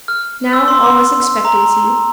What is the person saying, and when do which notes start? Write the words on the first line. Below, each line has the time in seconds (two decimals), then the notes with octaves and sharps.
Now all was expectancy.
0.08 F6
0.53 E6
0.68 C6
0.84 C6
1.45 A#5